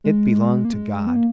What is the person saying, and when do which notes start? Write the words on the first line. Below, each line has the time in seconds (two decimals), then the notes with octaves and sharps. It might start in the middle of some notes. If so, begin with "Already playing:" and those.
It belonged to God.
0.04 G#3
0.65 A#3
0.73 G#3
1.07 B3
1.16 A#3